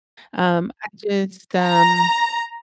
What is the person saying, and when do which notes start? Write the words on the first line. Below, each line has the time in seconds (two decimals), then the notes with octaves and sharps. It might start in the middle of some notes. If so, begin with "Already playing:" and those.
Um, I just, um
1.63 A#5